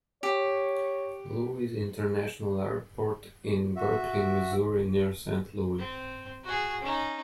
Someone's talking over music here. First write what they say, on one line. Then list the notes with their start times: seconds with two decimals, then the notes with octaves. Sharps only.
Louis International Airport, in Berkeley, Missouri, near Saint Louis.
0.23 G4 C#5
3.76 F#4 E5
5.78 C4
6.44 F#4 G#4
6.81 C#4 D#4